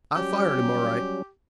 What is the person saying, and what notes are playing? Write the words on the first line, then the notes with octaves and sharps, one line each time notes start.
I fired him, all right.
F#3 G3 C#4 G4